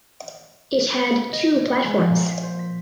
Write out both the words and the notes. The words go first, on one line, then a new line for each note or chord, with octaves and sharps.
It had two platforms.
D#5
G#6
F#5
G#3
F3
A#2
C5
B6